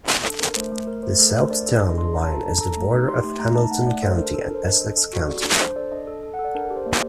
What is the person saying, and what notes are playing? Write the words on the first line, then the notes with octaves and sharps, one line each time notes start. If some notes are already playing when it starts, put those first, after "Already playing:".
The south town line is the border of Hamilton County and Essex County.
D4 A4
D4 A#4
A3 C5
A3
A3 A#4
A3 C5
A3 A4
A#4
A3
C5
D4 D5
A4
D4 D#5
D4 C6
D4 A#5
A5
A4
A#5
D4 A5
A4 A#5
A3
D#4
G4 C6
A3
A3 A#5
D#4 A5
A3 F#5
A3 D5
A4 C5
D4 A#4
D4 A4
D4 A#4
C5
D4 D#5
A4
A4
F#4
A4 D5
D4
D4 C5
A4 D5
D4 D#5
A4
A4
F#5
A4
D5
D4 A#4
A#4
G4
C5
A#3 D5